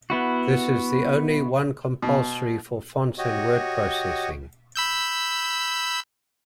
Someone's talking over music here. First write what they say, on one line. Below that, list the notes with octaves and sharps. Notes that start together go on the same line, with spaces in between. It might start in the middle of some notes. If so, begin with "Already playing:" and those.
This is the only one compulsory for fonts and word-processing.
B3 E4 F#4
B2
F#4 G4 C#5 D#5
B5 E6 G6